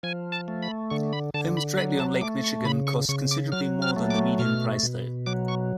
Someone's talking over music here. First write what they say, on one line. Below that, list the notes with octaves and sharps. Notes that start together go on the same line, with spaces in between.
Homes directly on Lake Michigan cost considerably more than the median price though.
F3 G#5
A5
A3
B5
D3 C#6
B5
D3 A5
B5
F#3 B5
A5
A3 D6
C#6
C#3 B5
C#6
C#3 C#6
D6
F#3 F6
F6
A3
D6
B2 F6
B2
F#3 D6
C#6